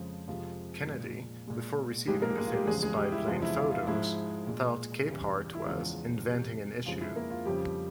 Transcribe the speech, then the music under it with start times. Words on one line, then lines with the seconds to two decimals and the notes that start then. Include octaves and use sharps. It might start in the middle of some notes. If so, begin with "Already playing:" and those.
Kennedy, before receiving the famous spy-plane photos, thought Capehart was "inventing an issue".
Already playing: F2 C#3 F3 G#3
0.28 F2 C3 F3 G#3 F4
0.87 A#2 F3 G#3
1.47 A#2 G#3
2.07 G#2 F3 G3 G#3 G4
2.22 A#3 A#4
2.30 G4
2.37 G#3 G#4
2.46 F4
2.52 G3 G4
2.67 E2 C#3 F3 G#3 G#4
2.82 G#3 G#4
2.97 G3 G4
3.12 E4
3.27 E2 C3 F3 G#3 F4
3.42 E4
3.57 F4
3.72 F4
3.87 G#2 F3 G#3 E4
4.47 A#2 G#3
5.06 E2 C#3 E3 G3
5.55 E4
5.66 E2 C#3 F3 G#3 F4
6.26 E2 C3 G3
6.85 F2 C#3 F3 G#3 F4
7.01 E4
7.16 A#3 A#4
7.30 F4
7.45 F2 C#3 F3 G3 G4